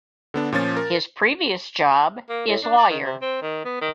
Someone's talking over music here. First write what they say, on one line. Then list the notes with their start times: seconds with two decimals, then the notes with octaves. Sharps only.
His previous job is lawyer.
0.34 D3 B3 D4
0.52 A#2 F3 C#4 A6
0.77 A#4
2.29 A#3
2.48 A2
2.63 D4
2.78 D5
2.90 D#3
3.03 C3
3.21 C4
3.42 D#3
3.65 B3
3.81 D#3